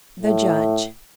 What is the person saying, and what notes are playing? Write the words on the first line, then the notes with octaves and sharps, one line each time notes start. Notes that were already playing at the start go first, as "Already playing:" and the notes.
The Judge.
A2